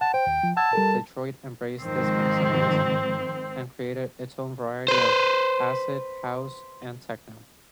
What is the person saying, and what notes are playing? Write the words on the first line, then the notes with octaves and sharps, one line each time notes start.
Detroit embraced this maximalism and created its own variant of acid house and techno.
F#5 A5
C5 G5
D#2
F3
F#5 A5 E6 G#6
G3 A4 A#4
G#2 D#3 F3 C4
B4 C5